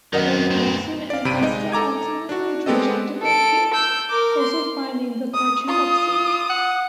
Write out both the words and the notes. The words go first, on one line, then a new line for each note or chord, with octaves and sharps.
Both Wilson and Pastel ultimately rejected the appeals, also finding the cartoon obscene.
F#2 D#3 B3 A#4 D#5 F#5
D2 C4
D5 F5
G1 C3 B5 D7 D#7
G#3 D#4 D#5
A4 A#5 D6 G#6
D4 F#4
G#3 B3 C4 G4 A4 D#5
A4 D7
E6 G6
A#4 D6
C6
D#6
F4 D#6
F#5